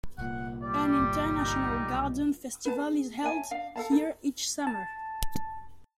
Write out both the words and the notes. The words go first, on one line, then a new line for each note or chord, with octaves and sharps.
An International Garden Festival is held here each summer.
C2 A#2 F#5
G3 D5
G1 G2
D#4
B1 G#2
B4 A5
G#4
C#5 E5 G#5 A5
D4 F5
A4 F5 A5
D#4 A4
A5